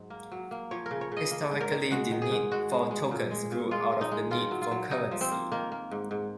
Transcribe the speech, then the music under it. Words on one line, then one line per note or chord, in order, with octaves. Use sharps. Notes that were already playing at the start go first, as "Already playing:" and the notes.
Historically the need for tokens grew out of the need for currency.
Already playing: G#2 F#3
A#3
F#3
A#3
F3 C#5
A#4
C#3
C#5
C#3 D#5
A#3
G#2
A#4
D#3
G#3 F#4
D#3
G#4
G#2
G#3 F#4
G#3
G#3
A#2
G#3
A#2
G#3 F4
F3
D#4
G#3
D#3 F4
F#3
F4
F#3
C3 D#4
F3
C4
A#3
D#3 A#3
A#3
G#2
G#2